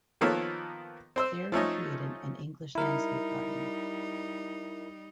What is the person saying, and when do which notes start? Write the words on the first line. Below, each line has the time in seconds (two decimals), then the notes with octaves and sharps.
There he created an English landscape garden.
0.21 D#3 F3 A#3 B3 A4 C#5
1.16 C4 C5 E6
1.52 F3 A3 C#4 D#4
2.75 G3 D#4 E4 A#4